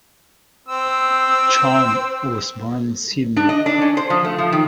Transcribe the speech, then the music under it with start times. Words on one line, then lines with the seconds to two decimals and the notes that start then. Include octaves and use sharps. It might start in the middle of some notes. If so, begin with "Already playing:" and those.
Chowne was born in Sydney.
0.68 C4 E6
3.37 D4
3.49 D#5
3.66 D4
3.82 C#4
3.97 C5
4.10 F3
4.25 A3
4.38 F3
4.52 D#3